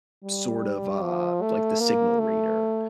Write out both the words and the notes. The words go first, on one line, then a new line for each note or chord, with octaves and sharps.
sort of, uh, like the signal reader,
G3
F3
A3
A#3
A3